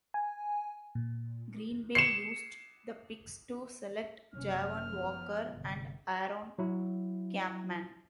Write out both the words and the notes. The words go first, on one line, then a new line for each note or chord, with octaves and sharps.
Green Bay used the picks to select Javon Walker and Aaron Kampman.
G#5
A#2
C7 C#7 E7
F#1 C3 C#4 F6
F3 G#3 B3
G1 C3
F#3 E4